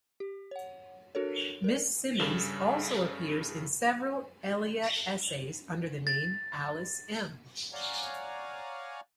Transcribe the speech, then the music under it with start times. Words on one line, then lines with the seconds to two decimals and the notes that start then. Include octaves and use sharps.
Miss Simmons also appears in several Elia essays under the name "Alice M".
0.20 G4
0.51 C#5 F#5
1.15 D4 F#4 A4 A#4 C#5
1.64 A#4 D5
2.19 G2 C#3 G3 A4 E7
6.07 A6
7.73 C#5 D5 F5 F#5 G#5 A#5